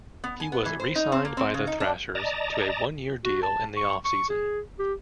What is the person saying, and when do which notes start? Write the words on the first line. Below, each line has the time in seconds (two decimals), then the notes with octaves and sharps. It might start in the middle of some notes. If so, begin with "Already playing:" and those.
He was re-signed by the Thrashers to a one-year deal in the off-season.
0.24 B3
0.40 G#5
0.52 B3
0.66 E3
0.80 C5
0.96 D#4
1.12 C4
1.25 A#3
1.37 C4
1.54 C#3
1.67 D#4
1.80 D4
2.15 D5 D#5 A5 A#5
3.25 F#4
3.43 A5
3.77 C#6
4.05 C#6
4.29 G#4
4.79 G4